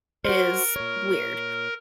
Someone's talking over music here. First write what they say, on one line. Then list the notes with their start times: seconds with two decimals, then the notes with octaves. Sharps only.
is weird,
0.25 F#4 A#4 C5
0.76 A#2 C#5